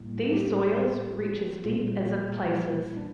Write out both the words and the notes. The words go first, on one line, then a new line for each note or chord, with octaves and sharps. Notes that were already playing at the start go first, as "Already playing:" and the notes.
These soils reach as deep as in places.
Already playing: A2 G3 A#3
A4
G4
A#2 G3 A#3 F4
E4
F4
E4
D4